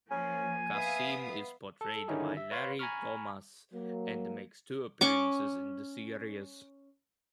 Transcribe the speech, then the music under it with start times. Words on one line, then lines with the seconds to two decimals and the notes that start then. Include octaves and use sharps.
Kassem is portrayed by Larry Thomas and makes two appearances in the series.
0.11 F3 A#3 C#4 G#5
0.74 B3 E5 F5 D#6
1.81 A4
2.08 D3 D#3 C#4 D#4 E4 G#4
2.37 E5
2.51 B4 C#5 F5 B5 C6
2.79 G#5 A#5 B5 C#6 F6
3.73 F#3 A#3
5.01 C#4 C#6 D6